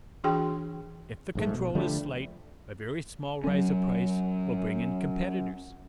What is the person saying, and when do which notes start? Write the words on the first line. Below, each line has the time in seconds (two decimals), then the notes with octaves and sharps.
If the control is slight, a very small rise of price will bring in competitors.
0.24 E3 D4 F#4 G#4 G5 C6
1.35 A#1 G#2 A3
1.54 B2
1.75 D3 F3 G3 A3
3.44 F#3 C#4